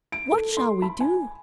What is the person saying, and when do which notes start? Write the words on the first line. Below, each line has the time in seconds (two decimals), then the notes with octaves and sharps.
What shall we do?
0.12 D7
0.32 A4
0.57 C6
0.82 B5
1.00 G#5